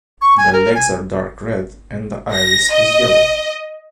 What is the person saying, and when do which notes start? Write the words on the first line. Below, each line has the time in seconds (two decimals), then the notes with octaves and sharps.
The legs are dark red, and the iris is yellow.
0.21 C#6
0.37 G#5
0.53 A#4
0.75 G#5
2.32 A#6
2.73 D#5